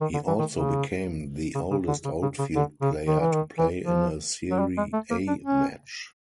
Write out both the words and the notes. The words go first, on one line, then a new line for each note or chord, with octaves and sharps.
He also became the oldest outfield player to play in a Serie A match.
D#3
D3
E3
D#3
C#3
C#3
C#3
D3
C#3
C#3
C#3
D3
C#3
D#3
E3
D#3
E3
F3
F#3
G3
G#3
A3
A#3
D4
C#4